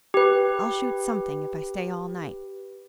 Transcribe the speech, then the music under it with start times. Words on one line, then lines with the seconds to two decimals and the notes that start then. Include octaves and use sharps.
I'll shoot something, if I stay all night.
0.14 G4 B4